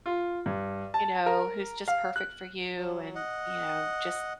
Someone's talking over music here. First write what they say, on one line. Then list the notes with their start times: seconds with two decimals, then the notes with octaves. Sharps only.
you know, "who's just perfect for you and," you know, "just
0.06 F4
0.46 G2
0.94 A5
1.26 A#4
1.88 F5
2.16 F#6
2.77 F#3
3.15 D#5 F#5